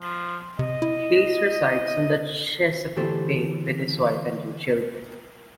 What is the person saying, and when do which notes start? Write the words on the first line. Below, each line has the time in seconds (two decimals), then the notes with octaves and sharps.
Hayes resides on the Chesapeake Bay with his wife and two children.
0.01 F3
0.59 C3 D#5
0.82 E4
2.96 D3 E3 A3 G4 A4 C5